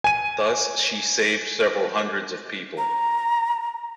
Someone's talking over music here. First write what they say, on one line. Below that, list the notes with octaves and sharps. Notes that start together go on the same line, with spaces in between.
Thus she saved several hundreds of people.
G#5 D#7
A#5